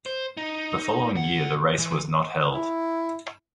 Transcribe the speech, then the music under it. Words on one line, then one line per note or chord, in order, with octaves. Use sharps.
The following year the race was not held.
C5
D#4
D2 F#5
E3
E4